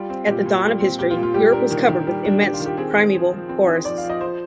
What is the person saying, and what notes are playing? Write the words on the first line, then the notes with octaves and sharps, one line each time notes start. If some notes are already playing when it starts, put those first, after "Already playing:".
At the dawn of history, Europe was covered with immense primeval forests.
Already playing: G3 F4
C4
A#2 G4
A#2
G3
C4
A#2 G4
F4
A#2
F4
G3 G4
D4 A#4
D#3
D#3
G3
D4
D#3 G4
F4
D#3
G4
C4 G#4
D#4 C5
F3
F3
C4
D#4
F3 D5
F5
F3
D#5
F3 C5